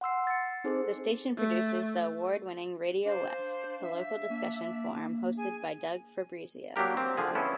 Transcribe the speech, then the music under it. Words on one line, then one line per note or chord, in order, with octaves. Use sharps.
The station produces the award-winning "RadioWest", a local discussion forum hosted by Doug Fabrizio.
F#5 C6 E6 C7
A6 C#7
C4 D#4 G#4 A4 C5
A3
D4 C5 F5
E5
A#3 D4
G#4 G#5
F#3 A#3 D4 G4 A#4
C4
D3 F3 G#4
B3 C#4 E4 A4